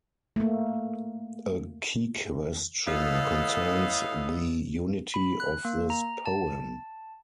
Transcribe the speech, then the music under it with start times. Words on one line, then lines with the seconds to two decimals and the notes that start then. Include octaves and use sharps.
A key question concerns the unity of this poem.
0.36 A3 A#3
2.87 A2 B3 A4 D#5 F5
5.14 B5
5.40 F#6
5.65 A#3
5.90 A#5
6.26 A5